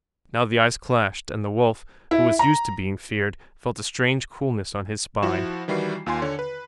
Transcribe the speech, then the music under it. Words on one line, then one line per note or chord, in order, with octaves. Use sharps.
Now the eyes clashed, and the Wolf, who was used to being feared, felt a strange coolness on his spine.
E4
A#5
F3 E4 F#4 E7
D#3 E3 G3 E4 F#4 C7
D#2 F4 G#5 C6
D3 C#5
B4